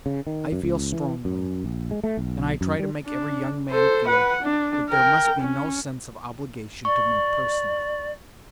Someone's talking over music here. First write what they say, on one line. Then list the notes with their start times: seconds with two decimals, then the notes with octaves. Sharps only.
I feel strongly, and I try to make every young man feel, that there must be no sense of obligation to me personally.
0.06 C#3
0.27 D#3
0.52 F#2
0.63 C#2
0.92 E3
1.25 F#2
1.64 A#1
1.91 G#3
2.04 A3
2.17 B1
2.61 F#2
2.80 G3
3.06 D4
3.70 A4 C5
4.07 B4 F#5
4.42 D4
4.89 A#4 G5
5.40 C#4
6.85 D5 C#6